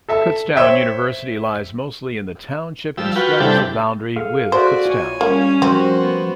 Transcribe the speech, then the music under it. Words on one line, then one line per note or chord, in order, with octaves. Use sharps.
Kutztown University lies mostly in the township and straddles the boundary with Kutztown.
A4 E5 A5
C5 C#5 E5 G5
F3 G3 E6
F4 F#4 B4 G5
C3 G3 D4 E4 G4 A4
G#4 A4 F5
F#4 C5 D5 E5
F4 C#5 G#5
G3 A#3 C#4
F3 C4 F#4 A#4 C5
B3